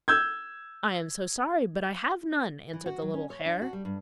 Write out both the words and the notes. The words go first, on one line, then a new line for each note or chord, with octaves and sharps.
'I am so sorry, but I have none,' answered the little hare.
E6 G6 G#6
E3
F#4
F#3
C#4
C#5
D4
F#4
G3
G2